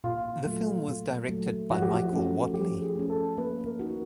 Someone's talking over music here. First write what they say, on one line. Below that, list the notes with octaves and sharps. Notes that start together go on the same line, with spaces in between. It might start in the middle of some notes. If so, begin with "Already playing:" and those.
The film was directed by Michael Wadleigh.
A#2 F4
F#3 A3
A#2
F#3 A3
F3 F#4
G4
F#4
A3 C#4
F3 G4
G#4
A3 C#4
A4
A#3 B4
A#4
D#4 F#4